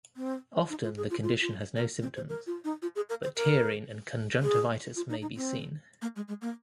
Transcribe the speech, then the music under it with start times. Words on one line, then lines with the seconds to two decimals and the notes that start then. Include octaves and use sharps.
Often the condition has no symptoms, but tearing and conjunctivitis may be seen.
0.16 C4
0.70 D#4
0.84 F4
0.97 G#4
1.10 F4
1.23 F4
1.41 F4
1.76 A#4
2.02 C4
2.16 C5
2.29 A#4
2.47 F4
2.64 D#4
2.82 F4
2.95 G#4
3.09 A#4
3.23 C5
3.36 A#4
4.43 G#4
4.96 F4
5.09 D#4
5.21 D#4
5.36 C4
6.02 A#3
6.16 G#3
6.28 G#3
6.41 A#3